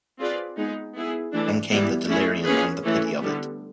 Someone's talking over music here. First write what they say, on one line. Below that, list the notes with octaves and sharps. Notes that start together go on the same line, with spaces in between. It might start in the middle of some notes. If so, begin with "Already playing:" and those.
Then came the delirium and the pity of it.
C4 F4 G#4 B4 D5
G#3 B3 D#4 G#4
B3 E4 G#4
E3 A3 D4
E3 G3 B3 E4
A3 C#4 E4 G#4
A#3 C#4 F4 G#4 B4
E3 A3 C#4
D3 G3 B3